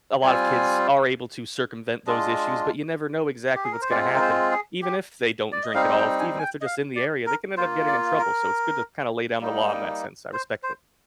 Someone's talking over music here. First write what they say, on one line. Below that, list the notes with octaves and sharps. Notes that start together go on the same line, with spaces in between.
a lot of kids are able to circumvent those issues, but you never know exactly what's gonna happen even if they don't drink at all, f even if they're just in the area, they can end up getting in trouble, so it's good to kinda lay down the law in that sense, I respect it.
G3 C4 F4 G#5
G#3 D4 F4 D#5
G4
G#4
A#4
C5
G#3 C4 F4 D5
A#4
C5
G#4
G4
D5
D#5
G3 C4 D#4 F5
G5
G#5
G#5
G5
D#5
F5
D5
A#4
A#3 F4 C5
D5
A#4
G3 A#3 D#4
C5
C5